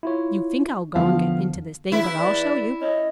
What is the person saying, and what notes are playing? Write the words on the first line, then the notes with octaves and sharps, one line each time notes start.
You think I'll go and get into this thing, but I'll show you.
E4 F4 C#5
E2 D3 F3 B3 F5
E3 E4
D5
C#4 D#5